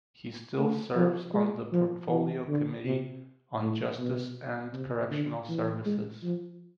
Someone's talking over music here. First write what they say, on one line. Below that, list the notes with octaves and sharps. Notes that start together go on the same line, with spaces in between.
He still serves on the Portfolio Committee on Justice and Correctional Services.
A3
F3
G#3
F3
E3
D3
C3
A2
B2
C3
D3
E3
G#3
F3